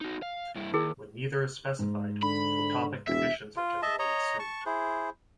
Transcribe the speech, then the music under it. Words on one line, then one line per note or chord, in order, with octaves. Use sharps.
When neither is specified, photopic conditions are generally assumed.
D#4 F#4
F5
G2 E4
D#2 E4 G#4 A#4
G#2
D3 B5
E1 E5
F4
D#5 E5 A5
C#5 D#5 A#5
A5 C#6
E4 G#4 C5